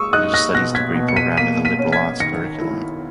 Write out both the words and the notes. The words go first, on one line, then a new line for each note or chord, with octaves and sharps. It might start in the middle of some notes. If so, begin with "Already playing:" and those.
Religious Studies degree program with a Liberal Arts curriculum.
Already playing: G#3 C#6 D#6 E6
D#4 D#6 F#6
F#6 A#6
B2 F#6 A#6
G#6 B6
B2
C#7
B6 D#7
A#3 B6 D#7
B6 D#7
C#4
G#6 B6
D#3 A#6 C#7
E4